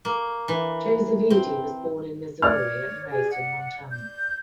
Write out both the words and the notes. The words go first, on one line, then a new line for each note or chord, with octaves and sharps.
Joseph Edy was born in Missouri and raised in Montana.
A#3
E3
C4
C#5 D5 F6
G#4
F#5
G6